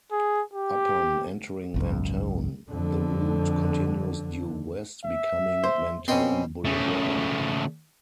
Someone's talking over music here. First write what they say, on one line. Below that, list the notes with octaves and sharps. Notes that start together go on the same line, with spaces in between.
Upon entering Mentone, the route continues due west, becoming Mentone Boulevard.
G#4
G4
G#1 C#2 F#2
F2 D3
E5
C5
B2 C4 C#4 G5 C6
C#3 A3